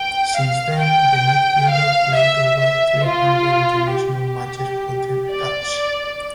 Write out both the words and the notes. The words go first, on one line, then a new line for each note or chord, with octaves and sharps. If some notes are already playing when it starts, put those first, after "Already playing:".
Since then the midfielder played over three hundred international matches for the Dutch.
Already playing: G5
F5
G5
F5
E5
E5
F4
G4
D5